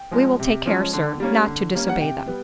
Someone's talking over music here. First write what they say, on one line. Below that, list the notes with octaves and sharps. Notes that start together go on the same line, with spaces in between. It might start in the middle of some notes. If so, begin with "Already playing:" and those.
"We will take care, Sir, not to disobey them."
Already playing: G5
F3 G#3 C#4
C3
F3 G#3 C#4
D3
G3 A#3 C#4
D3
G3 A#3 C#4
F#5
C3 G5
G3 B3